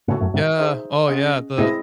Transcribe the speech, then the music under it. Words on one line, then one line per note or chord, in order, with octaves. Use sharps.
Yeah. Oh, yeah. The
A2 C#3 F#4 A4 C#5 F#5
F#2 A2
G#2 C3
D#4 G#4 C5 E5
C#4 G#4 D#5 F#5
A2 G#3 C4 E4 G#4 D#5